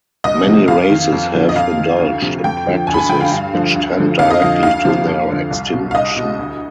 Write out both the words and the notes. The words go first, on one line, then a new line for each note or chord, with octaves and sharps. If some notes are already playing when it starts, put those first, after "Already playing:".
Many races have indulged in practices which tend directly to their extinction.
C2 D#5
C3 F3
F2 F5
D#3
F2
D3 F3
D#5
F2 F5
D#3
D2
C3 F3
F2 G5
D3 F3
D2 G#5
B5
G#5
D3 F3 G5
F5
G2
D3 F3
D2
D3 F3
F2 F5
D#5
D3 F3 F5
D2 F5
C3 F3
F2
D3 F3
C2
B2
F5
C2 D#5
B2
D2